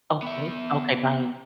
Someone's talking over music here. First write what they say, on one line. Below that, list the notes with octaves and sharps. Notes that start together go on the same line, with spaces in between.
okay, okay, by
B3 E5